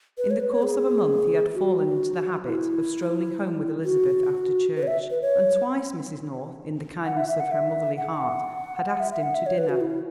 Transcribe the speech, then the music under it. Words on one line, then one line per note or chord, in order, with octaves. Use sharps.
In the course of a month he had fallen into the habit of strolling home with Elizabeth after church, and twice Mrs. North, in the kindness of her motherly heart, had asked him to dinner.
B4
C#5
B4
C#5
G#4
F#4
E4
F#4
B4
C#5
E5
B4
C#5
F#5
E5
E5
F#5
E5
F#5
F#5
E5
E5
F#5
E5
C#5
B4
F#4
E4